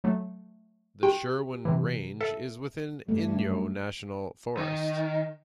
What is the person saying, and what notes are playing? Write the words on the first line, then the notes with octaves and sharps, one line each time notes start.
The Sherwin Range is within Inyo National Forest.
F#3 A3
G4 G5
C3 E3
A4 E5
G2 A3
D#3